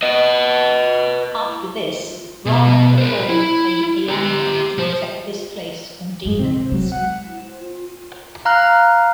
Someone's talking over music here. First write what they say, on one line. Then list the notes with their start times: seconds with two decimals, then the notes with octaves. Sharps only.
After this Brahma performed a yagna to protect this place from demons.
0.03 B4 D#5
2.46 B2
2.98 A#4 C5
3.29 E4
4.09 G4 A#5
4.78 F3 C5
6.25 G2 D3 G#3
6.39 C3 F3 C4
6.72 F#3 G#3
6.92 F#5
8.45 F5 A#5 F6 F#6